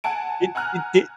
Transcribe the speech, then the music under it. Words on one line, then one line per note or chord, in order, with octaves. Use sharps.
Did did di
F#5 G#5 A5 D7
F#5 G#5 A#5 F6 F#6